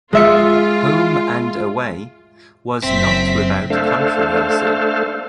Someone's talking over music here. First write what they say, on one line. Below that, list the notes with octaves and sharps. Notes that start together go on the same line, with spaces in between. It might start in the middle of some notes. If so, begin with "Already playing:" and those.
"Home and Away" was not without controversy.
G#3 F4 E5 C#7
F#1 F#3 C4 E5 B6
A3 D4 A4 C5 F5